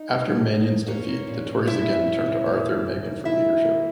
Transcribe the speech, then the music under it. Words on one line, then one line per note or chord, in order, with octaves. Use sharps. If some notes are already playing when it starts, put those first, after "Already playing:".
After Manion's defeat, the Tories again turned to Arthur Meighen for leadership.
Already playing: D#4 D#5
A#3
A#2
A#3
A#3
A#3 C#4 C#5
A#3
A#2
A#2
A#2 E4 E5
C#4
C#4
A#2
A#3
D#3
F#2
F#2
D#3 E4 E5
A#3
A#3